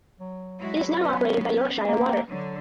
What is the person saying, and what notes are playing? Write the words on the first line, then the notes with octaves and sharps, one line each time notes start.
It is now operated by Yorkshire Water.
F#3
G#3 E4 F#4
B3 C#4
A#3
D3 F#3